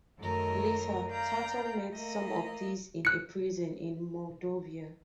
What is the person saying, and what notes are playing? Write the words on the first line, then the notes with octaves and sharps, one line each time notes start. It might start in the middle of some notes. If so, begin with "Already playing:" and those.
Later, Tarto met some of these in a prison in Mordovia.
F#2 D#3 A3 A#4 D#5
D5 F5 G5 A#5 G6
A3 A#3 D#5
F#6 C#7